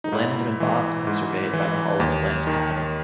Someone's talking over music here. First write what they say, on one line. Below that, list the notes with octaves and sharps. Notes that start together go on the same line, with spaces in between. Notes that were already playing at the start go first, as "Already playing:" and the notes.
The land had been bought and surveyed by the Holland Land Company.
D#4
G#2 E4
E3
G#2
E3
D#2
D#3